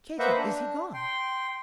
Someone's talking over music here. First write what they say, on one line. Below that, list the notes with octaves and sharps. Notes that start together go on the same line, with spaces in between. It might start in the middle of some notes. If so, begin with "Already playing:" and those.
"Katy, is he gone?"
A#3 B4 C5 D#5 E5 F#5
D4
G5 C6